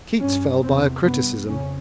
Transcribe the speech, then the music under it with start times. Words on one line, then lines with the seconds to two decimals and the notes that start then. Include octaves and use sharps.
KEATS fell by a criticism.
0.20 G2 C#4
0.62 E2 C3 C4
1.04 G2 B3
1.47 F2 C#3 C#4